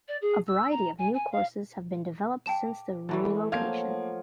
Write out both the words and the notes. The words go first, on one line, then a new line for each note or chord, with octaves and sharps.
A variety of new courses have been developed since the relocation.
D5
G#4
E6
A#5
G#5
G#5
F5
G5 A5 D6 E7
D3 E3 F#3 G3 A3 E4 G#5
F3 F#3 A#3 C4 F5 G#6